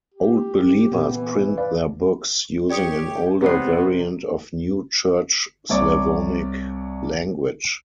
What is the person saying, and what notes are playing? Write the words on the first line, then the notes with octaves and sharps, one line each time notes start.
Old Believers print their books using an older variant of New Church Slavonic language.
G4
A#2 B3
E3
B4 D5 F5
G4 C#5 D5 D#6 C#7
C3 B3 C#5 D5 C7
C2 C#5 D5 D6